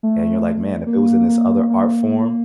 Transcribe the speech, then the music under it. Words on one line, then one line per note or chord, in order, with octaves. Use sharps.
and you're like, "Man, if it was in this other art form,"
A3
A#3
A#3
A#3